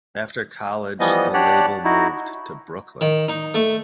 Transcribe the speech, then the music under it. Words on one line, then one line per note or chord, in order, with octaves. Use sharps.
After college the label moved to Brooklyn.
E3 F3 G3 B3 D#5
D4 G4 C#5 D5 F#5
D#4 E4 F#4
D#3
D#4
A3